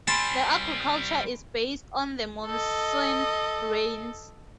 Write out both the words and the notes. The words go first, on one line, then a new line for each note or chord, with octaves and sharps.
The agriculture is based on the monsoon rains.
G3 C4 G#5 A5 B5 C6
A4 D#5